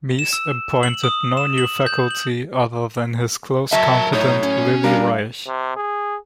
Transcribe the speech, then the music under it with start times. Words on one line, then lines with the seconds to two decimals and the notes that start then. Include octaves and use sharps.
Mies appointed no new faculty other than his close confidant Lilly Reich.
0.19 E7
0.33 E6
0.83 F#7
1.04 D#6
1.37 E7
1.58 F#7
1.86 G6
2.11 F#7
3.73 F#3 A#4 E5 A5
4.13 A2 D#4 C#5
4.43 C#4
4.84 G3 D4 A#4 F5
5.47 C3
5.77 G#4